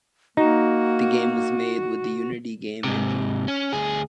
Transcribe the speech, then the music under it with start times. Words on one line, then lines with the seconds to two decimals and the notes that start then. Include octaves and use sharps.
The game was made with the Unity game engine.
0.37 A#3 D#4 F#4
2.84 G#2 C3
3.48 C#4
3.73 D2 G#4